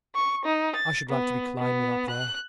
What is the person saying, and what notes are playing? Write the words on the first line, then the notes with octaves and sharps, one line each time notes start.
I should like to be climbing up there!
C#6
D#4
A6
B3
B3
F#6